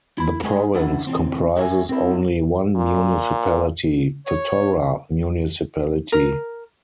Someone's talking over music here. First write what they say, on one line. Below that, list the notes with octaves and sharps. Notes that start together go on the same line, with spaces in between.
The province comprises only one municipality, Totora Municipality.
E4 B5
G#3 B3 G4 G#4 B4 D#5
C#4 D4 E4 B4 F#5
B2 E3 C4
F#4 G4 C#5 E5 G#5
C4 E4
A#2
C#5
A#4